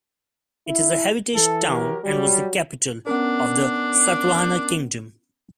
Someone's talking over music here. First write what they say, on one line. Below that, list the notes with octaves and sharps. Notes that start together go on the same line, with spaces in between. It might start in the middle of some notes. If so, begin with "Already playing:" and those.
It is a heritage town and was the capital of the Satavahana Kingdom.
E4
E3 A4
F#3 G4 A#4
F#3 G3
B3 C#4 D4 A#4